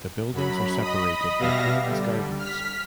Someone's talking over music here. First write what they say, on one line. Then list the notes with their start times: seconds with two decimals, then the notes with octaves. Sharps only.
The buildings are separated by Queens Gardens.
0.32 F#2 F#3 B5
0.81 D#5 B5 D#6
1.38 B2 G3 B3 E5 F5 A#6
1.82 D3 G3
2.39 F6 B6